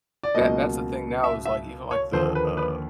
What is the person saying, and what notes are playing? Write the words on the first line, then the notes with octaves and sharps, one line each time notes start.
That that's the thing now is, like, even like the, uh,
D5
C#2 B2 F#3 A#3 D#5
E5
E5
C#5
D#2 D3 F3 A#3 C5
B4
B4